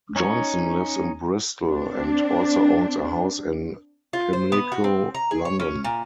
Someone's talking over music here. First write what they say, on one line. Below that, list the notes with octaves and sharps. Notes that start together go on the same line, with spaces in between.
Johnson lives in Bristol and also owns a house in Pimlico, London.
C#4 D#4 C#5
C4 D4
F4
C5
B3
F#4
C4
A#5
G#4
C#5
C#4
A#2